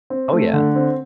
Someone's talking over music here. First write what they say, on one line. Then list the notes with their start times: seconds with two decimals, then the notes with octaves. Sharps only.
Oh, yeah.
0.10 C4
0.33 A3
0.53 D3
0.75 C4